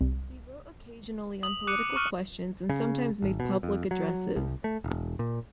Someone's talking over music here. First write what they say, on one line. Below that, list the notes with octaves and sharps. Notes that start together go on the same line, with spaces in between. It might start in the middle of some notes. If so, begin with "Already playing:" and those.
He wrote occasionally on political questions, and sometimes made public addresses.
C2
D#6 F#7
D6 F#6 C#7 D#7
C#6 F6 D#7
C#3
G#1
B2
F2
F#3
C2
A3
E1
A#2